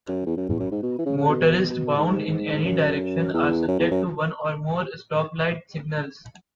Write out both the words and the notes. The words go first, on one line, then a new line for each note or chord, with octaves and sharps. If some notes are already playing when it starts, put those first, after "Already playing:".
Motorists bound in any direction are subject to one or more stoplight signals.
F#2
E2
F#2
E2
F#2
G#2
B2
E3
C#3
C#3
B2
G#2
F#2
E2
F#2
E2
F#2